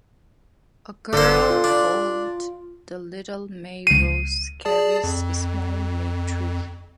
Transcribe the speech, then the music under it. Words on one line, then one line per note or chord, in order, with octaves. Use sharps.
A girl called the Little May Rose carries a small May-tree.
G1 A#2 D3 A4 C5
F4
D4
C#2 C7 D#7
G#4 D5 A5
F2